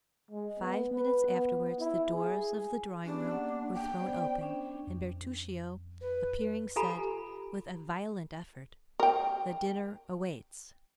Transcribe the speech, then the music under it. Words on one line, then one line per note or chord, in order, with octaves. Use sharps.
Five minutes afterwards the doors of the drawing-room were thrown open, and Bertuccio appearing said, with a violent effort, "The dinner waits."
G#3
B3
B4
B3
E4
G#4
B3 C#4 D4 G4
A#3 C#4 F#5
G5
B3 C5 D5
C#4 D4
F2
B4
F4 G4 A4 G#5 A#5 B5
A#4 G5